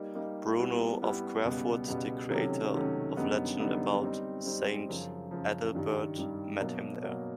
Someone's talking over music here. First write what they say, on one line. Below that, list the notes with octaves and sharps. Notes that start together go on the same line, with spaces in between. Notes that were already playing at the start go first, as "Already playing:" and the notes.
Bruno of Querfurt, the creator of legend about Saint Adalbert, met him there.
Already playing: G3 A#3 D#4
G3 A#3 D#4
G3 B3 E4
G3 B3 E4
C#2 B2 G3 B3
C#2 B2 G3 B3
C3 D#3 F#3 A3 C#4
C3 D#3 F#3 A3 C#4
F#2 D3 G3 B3 D#4
F#2 D3 G3 B3 D#4
G3 C4 D#4
G3 C4 D#4
F#2 C#3 F3
F#2 C#3 F3
G2 D#3 G3
G2 D#3 G3
B2 F#3 A#3
B2 F#3 A#3